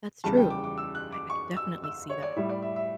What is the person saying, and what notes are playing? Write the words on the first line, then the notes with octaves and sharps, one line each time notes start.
That's true. I I could definitely see that.
E2 C#3 G3 A5
G5
D6
D6
E6
F#6
D6
C#6
E6
E6
C#5
D5
A2 G3 E5
D5
E5
E5